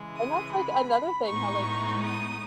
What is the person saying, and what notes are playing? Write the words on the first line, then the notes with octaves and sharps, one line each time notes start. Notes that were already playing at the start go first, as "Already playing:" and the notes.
And that's like another thing how, like,
Already playing: C#3 E3 G#3
D#6
B5
A2 G#3 B3 D#4 C#6
D#6